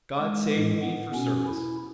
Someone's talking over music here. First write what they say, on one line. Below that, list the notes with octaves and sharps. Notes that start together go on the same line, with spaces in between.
God saved me for service.
G#3
A2 E3
B3
B2 C#4
E4